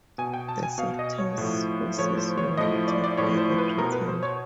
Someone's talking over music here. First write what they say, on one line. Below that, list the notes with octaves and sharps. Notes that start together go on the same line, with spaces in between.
The Sultan's forces were routed by the pretender.
B2 G#5
G5
A5
G#5
B2 F5
D#5
C#5
A2 F3
A2 F3 C#5
C5
C#5
A2 F3 D#5
D5
D5
A2 F3 C#5
C5
B4
B2 A#4
B4
C5
C#5